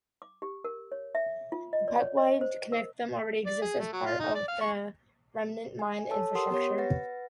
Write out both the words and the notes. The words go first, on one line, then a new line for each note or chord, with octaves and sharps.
The pipeline to connect them already exists as part of the remnant mine infrastructure.
D6
G4
A#4
C#5
E5
F4
D#5
D5
C#5
D#5
C5
A#4
D5
G#4
A3
F#3
F4
D#4
D5
F5
C#6
G#5
A4 C#5 A5 E6
G4 A#4 F#5 C6 D#6
B3 G4 C#5
B4 F#5 A6 A#6